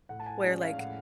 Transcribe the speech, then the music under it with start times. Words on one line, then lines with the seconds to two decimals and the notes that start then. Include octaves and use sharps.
where, like,
0.09 A2 F#5
0.20 A5
0.26 G#5
0.44 G#3 C#4 D5
0.61 F5
0.78 A2 F#5